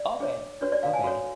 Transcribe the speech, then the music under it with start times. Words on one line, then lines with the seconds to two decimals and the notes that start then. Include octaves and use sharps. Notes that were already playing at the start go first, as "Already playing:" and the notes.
Okay, okay.
Already playing: D5
0.20 D4 G#4 C#5
0.61 D4 F#4 B4 C#5
0.72 D5
0.83 F5
0.93 G#5
1.04 F#4 A4 C#5